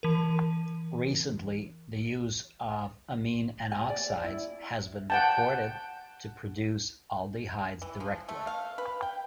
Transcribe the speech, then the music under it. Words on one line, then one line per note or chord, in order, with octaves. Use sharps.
Recently, the use of amine N-oxides has been reported to produce aldehydes directly.
E3 A#4
G#5
D5
E4
F#5 G5 A5
E3
F3
A3
F5
B4
G5